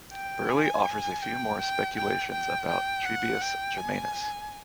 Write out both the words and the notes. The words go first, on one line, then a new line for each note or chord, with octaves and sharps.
Birley offers a few more speculations about Trebius Germanus.
G5
G#5
G5
G5
G5
G5
G5
F#5
G5
G#5